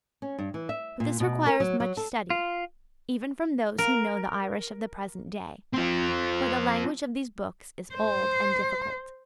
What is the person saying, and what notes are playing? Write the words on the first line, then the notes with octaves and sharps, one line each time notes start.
But this requires much study, even from those who know the Irish of the present day; for the language of these books is old and difficult.
C#4
G2
E3
E5
A#2
B2
A#4
F#3
F#3
A4
F4
A#4
C4 F4
C5